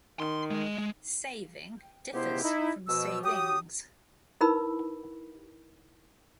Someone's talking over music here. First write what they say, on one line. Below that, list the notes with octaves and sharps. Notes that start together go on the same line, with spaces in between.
"Saving" differs from "savings".
D#3 C6
G#3 D#5
G#3
C#2 C3 B3 E4 G4 C5
D#4 E4
B2 F3 E6
F#3 G4 G5 D#6
D#4 E4 A#4 B4 B5 E6